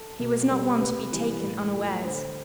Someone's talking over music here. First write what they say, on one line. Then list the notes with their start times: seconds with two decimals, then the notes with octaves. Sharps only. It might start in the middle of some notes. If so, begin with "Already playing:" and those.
He was not one to be taken unawares.
Already playing: A4
0.20 B2
0.51 G3
0.81 C3 B4
1.12 E3 G3
1.43 A2
1.74 F3 A3
2.05 D3 C5